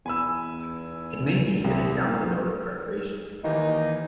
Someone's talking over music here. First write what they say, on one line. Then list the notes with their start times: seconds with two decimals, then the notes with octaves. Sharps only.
It may be that he sounds a note of preparation.
0.06 E2 G#5 B5 E6
1.64 C2
3.44 D#2 D#3 E3 A#3 D#4